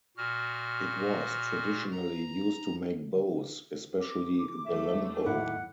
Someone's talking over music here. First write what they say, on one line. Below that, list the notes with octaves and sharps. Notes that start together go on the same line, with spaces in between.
It was traditionally used to make bows, especially the longbow.
A#2 F#4 F6
A#5
D6
E2 F#3 A3 E5
D#2 A2 E4 F#5